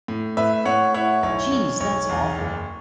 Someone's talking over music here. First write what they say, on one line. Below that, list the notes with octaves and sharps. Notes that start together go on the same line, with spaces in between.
Jeez, that's awful!
A2
A2 B4 E5
A2 C#5 F#5
E4 C#5 F#5
B1 C#5
B1 C#5
B1 C#5
E2
F#1